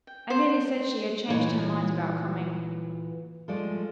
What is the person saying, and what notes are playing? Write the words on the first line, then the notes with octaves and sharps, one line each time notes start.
"I merely said she had changed her mind about coming."
G5
C5
D2 A#2 E3 D#4 A4 C#5
F3 G#3 A3 D5